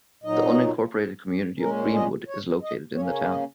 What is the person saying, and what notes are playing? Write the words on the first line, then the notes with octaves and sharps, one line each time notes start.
The unincorporated community of Greenwood is located in the town.
A#2 F#3 D#4 D#5
A#2 G#3 C#4 A#4
D#5
C#5
D#5
C#3 A#3 C#4 C#5
C#5
D#5